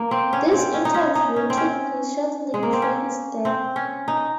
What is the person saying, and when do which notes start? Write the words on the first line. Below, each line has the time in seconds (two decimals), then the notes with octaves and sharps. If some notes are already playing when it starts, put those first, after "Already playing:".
This interview took place shortly before his death.
Already playing: A#3
0.11 C4
0.33 C#4
0.53 C4
0.74 C#4
0.85 D#4
0.94 C#4
1.15 D#4
1.36 C#4
1.50 C4
1.57 C#4
2.54 G#3
2.63 A#3
2.73 C4
2.82 C#4
3.45 C4
3.76 C#4
4.08 D#4